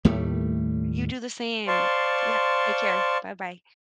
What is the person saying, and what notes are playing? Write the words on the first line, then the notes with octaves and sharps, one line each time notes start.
You do the same. Yep, take care, bye-bye.
D#2 A2 G3 A3
C5 D5 F5 A5 C6 C#6